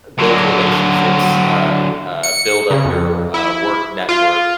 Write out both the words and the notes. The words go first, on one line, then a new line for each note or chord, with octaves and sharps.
build relationships, uh uh, build up your, uh, work network,
D3 F#3
C#7
C#3
F2
E4
F4